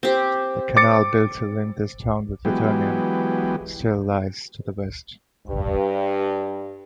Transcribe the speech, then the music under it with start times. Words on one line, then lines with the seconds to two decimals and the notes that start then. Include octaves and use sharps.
The canal built to link this town with Vedaranyam still lies to the west.
0.03 C4 G4
0.77 D6 A6 C#7
2.45 E3 F#3 G#3 B3 G4
5.47 G2